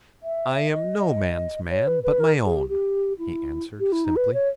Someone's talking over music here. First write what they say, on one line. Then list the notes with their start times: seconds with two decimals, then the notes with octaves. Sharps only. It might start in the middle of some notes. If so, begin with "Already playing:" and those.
"I am no man's man but my own," he answered, simply.
0.23 E5
0.71 D#5
1.70 C#5
1.87 B4
2.03 B4
2.20 A#4
2.45 G#4
2.56 G4
2.69 G4
3.19 E4
3.80 G4
3.92 E4
4.05 D#4
4.16 B4
4.34 C#5